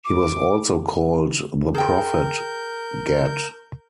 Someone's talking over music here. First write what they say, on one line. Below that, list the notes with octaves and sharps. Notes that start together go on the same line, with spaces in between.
He was also called the Prophet Gad.
D6
G#4 A#4 G5 G6